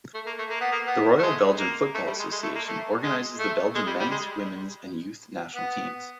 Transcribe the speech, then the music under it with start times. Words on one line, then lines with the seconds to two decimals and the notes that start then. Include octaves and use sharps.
The Royal Belgian Football Association organizes the Belgium men's, women's and youth national teams.
0.14 A3
0.26 A#3
0.39 A3
0.50 A#3
0.61 B3
0.72 A#3
0.87 B3
1.19 A3
1.23 G#3
1.59 A#3
1.94 A3
2.07 G3
2.19 G#3
2.31 G#3
2.43 A3
2.55 A#3
2.67 A3
3.03 G#3
3.39 A3
3.75 G#3
3.86 G3
4.00 G3
4.11 G#3
5.55 B3